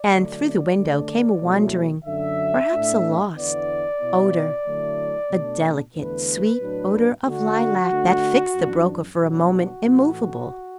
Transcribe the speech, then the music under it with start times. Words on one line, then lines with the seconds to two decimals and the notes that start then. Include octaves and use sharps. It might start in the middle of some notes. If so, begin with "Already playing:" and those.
And through the window came a wandering--perhaps a lost--odour--a delicate, sweet odour of lilac that fixed the broker for a moment immovable.
Already playing: D5
0.11 D3 F#3 A3
0.76 D3 A3 D4
1.41 B2 F#3 A3 E4
2.05 F#2 D3 F#3 E5
2.70 A2 A3 D4
3.35 E2 D3 B3 E4 D5
4.00 B2 B3 E4
4.65 D3 F#3 A3 E4
5.29 B2 A3 D4
5.94 E2 D3 A3 B4
6.60 A2 F#3 D4
7.24 D3 A3 D4 F#4
7.89 D3 A3 D4
8.54 F#2 E3 D4
9.19 B2 F#3 B3 D4 F#4
9.84 A2 E3 A3